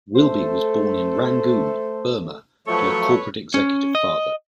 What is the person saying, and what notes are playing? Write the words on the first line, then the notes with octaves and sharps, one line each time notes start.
Wilby was born in Rangoon, Burma to a corporate executive father.
A3 A4 C5
F3 F#3 A3 A4 B4 C#5 C#6
C#4
D#5